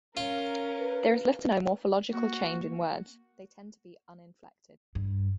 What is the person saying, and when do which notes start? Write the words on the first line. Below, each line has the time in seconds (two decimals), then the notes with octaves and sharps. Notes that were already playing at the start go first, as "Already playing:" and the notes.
There is little to no morphological change in words: they tend to be uninflected.
0.17 C#4 F4 A#4
0.79 B4
2.13 A#3 F#4
4.95 G2